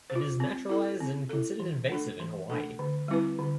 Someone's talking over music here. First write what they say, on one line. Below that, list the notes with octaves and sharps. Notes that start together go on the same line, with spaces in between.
It is naturalised and considered invasive in Hawaii.
C5
F4
C4
E4 A4
C4
E4 A4
E3
A3 D4 A4
E3
A3 D4 A4
D3
G3 C4 E4 B4
D3